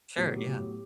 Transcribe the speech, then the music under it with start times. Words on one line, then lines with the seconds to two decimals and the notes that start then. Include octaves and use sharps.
Sure, yeah.
0.16 A2 F#3 B3 G4
0.26 G#4
0.35 G4